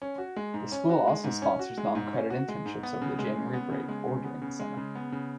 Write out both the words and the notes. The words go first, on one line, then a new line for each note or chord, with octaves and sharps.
The school also sponsors non-credit internships over the January break or during the summer.
C#4
F#4
G#3
G#2
C#4
F#4
G#3
G#2
C#4
F#4
G#3
G#2
C#4
F#4
G#3
G#2
B3
C#3
G#3
C#3
B3
C#3
G#3
C#3
B3
C#3
G#3
C#3
B3
C#3